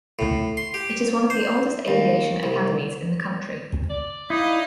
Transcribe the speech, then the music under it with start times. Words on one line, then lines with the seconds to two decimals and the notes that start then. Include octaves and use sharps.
It is one of the oldest aviation academies in the country.
0.19 A2
0.57 C6
0.74 G4
1.30 C5
1.88 D#2
2.43 C2
3.90 D5
4.30 D#4 E4 D#5 F5